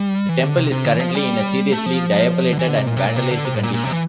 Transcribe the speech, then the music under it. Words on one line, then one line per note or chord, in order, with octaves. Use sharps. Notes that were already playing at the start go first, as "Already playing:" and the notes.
The temple is currently in a seriously dilapidated and vandalised condition.
Already playing: G3
E3
D3
C3
C3
D3
E3
F3
G3
A3
F3
D3
E3
D3
C3
A#2
C3
A#2
C3
D3
C3
A2
A#2
A#2
C3
E3